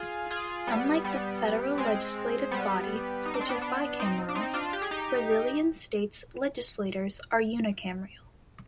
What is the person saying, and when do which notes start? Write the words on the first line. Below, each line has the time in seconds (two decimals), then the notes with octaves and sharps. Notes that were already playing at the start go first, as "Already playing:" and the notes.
Unlike the federal legislative body, which is bicameral, Brazilian states legislatures are unicameral.
Already playing: F4 G#4
0.31 F4 G#4
0.67 G3 B3
1.05 G3 B3
1.78 G#3 C4
2.51 G3 B3
3.26 D#4
3.34 D4
3.41 C4
3.49 B3 D4
3.62 B3 D4
4.00 C4 D#4
4.29 D4
4.35 C4 D#4
4.54 D4 F4
4.73 G4
4.82 G#4
4.91 D#4 G4